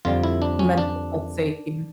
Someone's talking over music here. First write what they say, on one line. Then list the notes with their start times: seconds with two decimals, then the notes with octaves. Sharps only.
mental health sake here.
0.05 F2 D3 G3 F4
0.23 E4
0.42 D4
0.59 C#4
0.78 D4